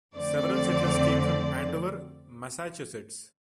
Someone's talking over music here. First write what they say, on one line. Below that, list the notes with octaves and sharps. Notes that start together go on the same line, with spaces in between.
Several settlers came from Andover, Massachusetts.
F2 D3 A3 C4 D5